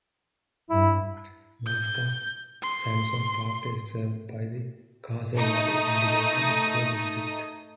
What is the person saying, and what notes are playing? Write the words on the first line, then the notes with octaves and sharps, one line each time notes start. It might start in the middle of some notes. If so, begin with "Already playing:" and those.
Most of Sansom Park is served by the Castleberry Independent School District.
G2 E4
G6
C6
A3 D#4 D#6